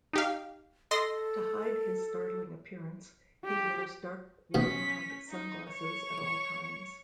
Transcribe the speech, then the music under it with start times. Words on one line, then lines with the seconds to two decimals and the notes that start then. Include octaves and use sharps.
To hide his startling appearance, he wears dark wrap-around sunglasses at all times.
0.13 D#4 G4 F5
0.91 A4 D#5 C6 A#6
3.46 G4
4.55 B2 D#3 C#4 B6
5.30 D#4
5.72 C#5 C#6